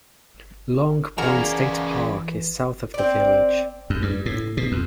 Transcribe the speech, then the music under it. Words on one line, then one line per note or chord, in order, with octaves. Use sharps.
Long Point State Park is south of the village.
C#3 E3 A#3 F#4 G#4 A#4 D5
C4 D5
F#2
G2
A2
B2
F2